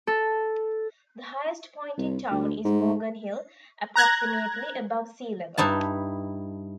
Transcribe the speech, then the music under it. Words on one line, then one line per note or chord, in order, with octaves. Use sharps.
The highest point in town is Morgan Hill, approximately above sea level.
A4
C2
D2
G#2
A#5 F#6 G#6 A#6
G2 D#4 E4 A5